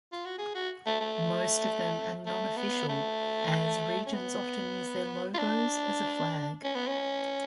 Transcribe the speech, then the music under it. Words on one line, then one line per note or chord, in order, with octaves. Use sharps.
Most of them are non-official as regions often use their logos as a flag.
F4
F#4
G#4
F#4
A3
A3
A3
B3
A3
C#4
B3
F4
D4
C#4
B3
C#4